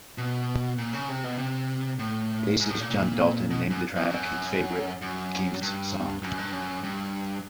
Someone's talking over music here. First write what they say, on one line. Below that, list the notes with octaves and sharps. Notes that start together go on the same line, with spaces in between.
Bassist John Dalton named the track his favorite Kinks song.
B2
A#2
C#3
C3
B2
C3
A2
G#2
A2
A#2
A#2
B2
F#2
F2
F#2
F#2
G2
F#2
G2
F#2
G2